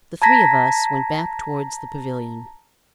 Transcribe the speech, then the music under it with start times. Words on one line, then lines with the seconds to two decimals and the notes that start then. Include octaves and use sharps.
The three of us went back towards the pavilion.
0.22 A5 A#5 G#6 A#6 B6